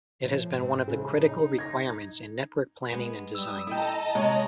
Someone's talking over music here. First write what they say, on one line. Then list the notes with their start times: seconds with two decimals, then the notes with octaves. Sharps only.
It has been one of the critical requirements in network planning and design.
0.21 A2 F3
0.53 G#2 C4
0.88 A2 C#3
1.18 D#4
1.58 G#6 A#6
2.92 G#3 B3
3.35 G3 D#6 E6
3.67 E4 A4 D#5 G5 A5 A#5
4.15 C3 G#3 C#5